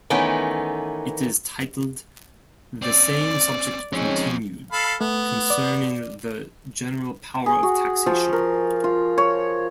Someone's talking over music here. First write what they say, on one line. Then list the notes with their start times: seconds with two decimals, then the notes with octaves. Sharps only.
It is titled, The Same Subject Continued: Concerning the General Power of Taxation.
0.10 D#3 E3 A3 B3 C#4
2.82 C4 C#4 D5
3.93 D#3 F3 G#3 C4 C#4 F4 C#5
4.72 A4 F5 B5
5.01 A3 B3
5.50 D5
7.46 G#4
7.63 F#4
8.06 F3
8.33 A#4
8.84 F4
9.18 C#5